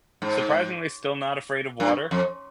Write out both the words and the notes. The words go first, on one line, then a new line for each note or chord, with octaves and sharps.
surprisingly still not afraid of water.
G#2
G2
F2